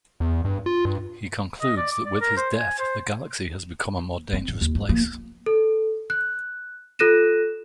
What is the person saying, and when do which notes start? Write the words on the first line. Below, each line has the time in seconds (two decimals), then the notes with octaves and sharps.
He concludes that with his death, the galaxy has become a more dangerous place.
0.20 E2
0.45 G2
0.66 F4
0.85 G2
1.61 D#5
1.77 D5
1.91 D6
2.06 D5
2.21 A#4
2.37 C5
2.57 G#5
2.79 C5
4.33 C4
4.48 G#2
4.61 D#2
4.75 G2
4.89 F3 A#3
5.46 A4
6.10 F#6
6.99 F4 A4 F#6 A#6 D#7 E7